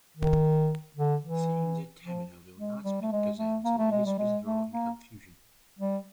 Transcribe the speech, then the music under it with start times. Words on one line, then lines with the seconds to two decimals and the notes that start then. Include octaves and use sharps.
Seeing that Tamino will not speak to them, the ladies withdraw in confusion.
0.17 D#3
0.97 D3
1.23 E3
2.04 F3
2.58 G#3
2.84 G3
3.02 A3
3.12 G#3
3.38 A3
3.64 A#3
3.78 A3
3.91 G#3
4.06 G3
4.19 G#3
4.45 A3
4.72 A#3
5.79 G3